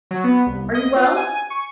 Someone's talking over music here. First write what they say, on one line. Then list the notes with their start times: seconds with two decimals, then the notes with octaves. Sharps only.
"Are you well?"
0.11 F#3
0.24 B3
0.46 C2
0.75 D#5
0.96 F4
1.16 G#5
1.50 C#6